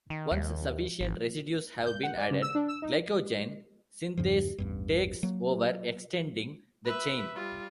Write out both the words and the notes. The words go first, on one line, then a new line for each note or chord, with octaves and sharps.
Once sufficient residues have been added, glycogen synthase takes over extending the chain.
D#3
D#2
G#1
G6
F#5
D5
C#3
E6
D4
E6
D#4
E2 G2 C#3 F3
A1 E2 G2
F#3 A#3
B4 E5
G3 F4